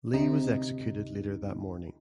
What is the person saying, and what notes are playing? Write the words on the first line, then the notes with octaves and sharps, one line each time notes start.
Lee was executed later that morning.
D2 C3 D#4